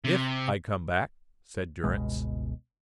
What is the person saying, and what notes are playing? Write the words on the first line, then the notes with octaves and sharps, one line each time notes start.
"If I come back," said Durrance.
C3
G1 C#2 B2 G#3